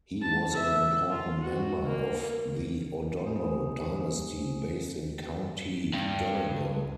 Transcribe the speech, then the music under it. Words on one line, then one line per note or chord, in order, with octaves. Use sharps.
He was an important member of the O'Donnell dynasty based in County Donegal.
A5
E5
F4
F#4
A#3
A#3 D#4 G4 C5 G#5 D#6
G2